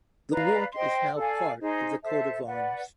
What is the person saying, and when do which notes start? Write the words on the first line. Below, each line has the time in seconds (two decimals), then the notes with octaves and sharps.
The Warte is now part of the coat of arms.
0.30 B4 D5 F5 A#5
0.72 C5 D#5 G5 C6
1.16 A4 D5 F5 G#5
1.59 D#4 G#4 C5
2.02 A4 C5 E5 A5
2.45 B4 D5 F#5